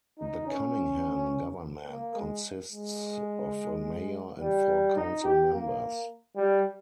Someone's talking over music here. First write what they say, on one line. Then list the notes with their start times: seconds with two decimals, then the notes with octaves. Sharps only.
The Cunningham government consists of a mayor and four council members.
0.19 D#4
0.47 C#4
1.87 A#3
2.15 G#3
2.72 G#3
4.40 G3
4.96 D#4
5.23 G4
5.52 A#3
6.36 G3